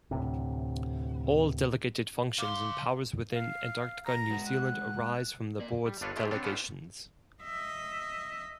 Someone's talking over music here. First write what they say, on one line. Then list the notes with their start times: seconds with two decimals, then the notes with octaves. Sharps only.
All delegated functions and powers within Antarctica New Zealand arise from the Board's delegations.
0.11 D2 A2 C3
2.38 C#3 F5 C6 D6
3.33 F5
4.05 A#5
4.30 G#3 F#4 B4
4.47 F#6
5.59 A#3 A#4 D5
5.86 G3
6.01 G1 D4 F4 A4 B4 C#5
6.16 G#3 A3 E4 F4 G4
6.31 B3 C4 D4 A4 C#5
6.43 B3 C#4 D4 F4 G4 A4
7.43 D#5 E5